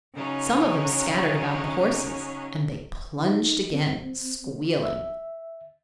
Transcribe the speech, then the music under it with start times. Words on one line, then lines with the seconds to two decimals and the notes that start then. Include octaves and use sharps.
Some of them scattered about the horses and they plunged again, squealing.
0.14 C#3 F#3 C#4 D#4
3.20 D#4
3.73 C4
4.83 E5